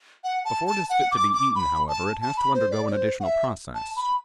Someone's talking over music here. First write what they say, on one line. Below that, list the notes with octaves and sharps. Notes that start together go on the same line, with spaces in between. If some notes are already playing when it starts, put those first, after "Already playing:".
Before it is fit to be eaten, however, it has to undergo an additional process.
F#5
A5
A5
F#5
D6
D6
B5
A5
A5
B5
C5
D5
D5
C5
F#5
E5
A5
B5